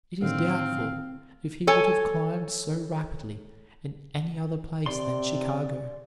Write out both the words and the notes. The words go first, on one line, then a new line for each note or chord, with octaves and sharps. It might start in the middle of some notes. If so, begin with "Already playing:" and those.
It is doubtful if he would have climbed so rapidly in any other place than Chicago.
A2 D3 D#3 C4 F5
A4 C#5 G#5
C3 D5 C6